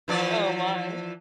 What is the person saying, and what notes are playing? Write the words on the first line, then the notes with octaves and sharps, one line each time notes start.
Oh my.
E3 F3 D5